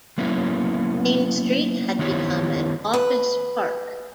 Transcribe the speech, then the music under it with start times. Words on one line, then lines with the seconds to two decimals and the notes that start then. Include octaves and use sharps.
Main street had become an office park.
0.18 F#3 A#3 B3 C#4 E4
1.99 D#3 B3 C4 E4 G4 C#5
2.93 B4